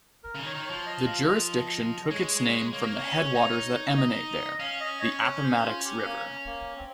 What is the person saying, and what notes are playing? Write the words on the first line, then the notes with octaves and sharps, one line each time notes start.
The jurisdiction took its name from the headwaters that emanate there, the Appomattox River.
A#4
C#3
D#3
C#5
D#3
C#5
F3
D#5
F5
D#5
G#3 C#5
A#3 C#5
C#5
C#4
C#5
D#4
D#5
C#4 F5
D#5
C#5
C#5
C5
F4
G4
A#3
A#3
C4